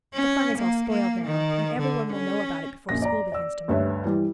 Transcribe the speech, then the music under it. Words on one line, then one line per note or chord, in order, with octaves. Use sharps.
"The fun is all spoiled now, and everyone will know about it before school begins to-morrow."
C#4
A#3
A#3
D#3
D3
C#4
A#1 F#2 A#3 A#6
D5 A#5
D5 E6
D2 G2 B4 C#5 E5
E3 G3